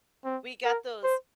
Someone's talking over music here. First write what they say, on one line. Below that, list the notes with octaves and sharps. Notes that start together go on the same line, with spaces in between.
we got those
C4
A#4
C5